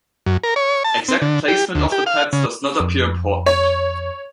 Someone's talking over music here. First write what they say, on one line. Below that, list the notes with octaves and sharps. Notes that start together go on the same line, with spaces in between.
Exact placement of the pads does not appear important.
F#2
A#4
C#5
A5
C4
D3
G4
D2
G4
F5
C#3
F2
C#5